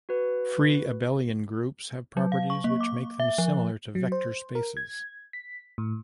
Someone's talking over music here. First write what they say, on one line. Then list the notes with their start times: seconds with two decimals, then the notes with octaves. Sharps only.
Free abelian groups have properties which make them similar to vector spaces.
0.09 F#4 B4
2.17 F#3
2.32 F5
2.50 C#6
2.64 A#3
2.81 D6
3.20 E5
3.38 F3
3.95 F#3
4.12 C5
4.55 A#4
4.77 G#6
5.33 B6
5.78 A2